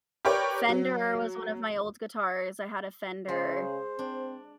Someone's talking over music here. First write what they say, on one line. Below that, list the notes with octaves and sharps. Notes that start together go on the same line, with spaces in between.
Fender was one of my old guitars, I had a Fender
G4 A#4 B4 C#5 D5 G5
F#3
C#3 G#3 C5
C4 D4